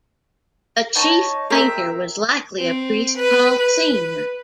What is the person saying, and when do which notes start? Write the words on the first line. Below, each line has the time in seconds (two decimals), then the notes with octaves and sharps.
The chief painter was likely a priest called Senior.
0.95 D#4 C#5 A5
1.50 C4 A#4 E5
2.58 C4
3.16 B4
3.58 B4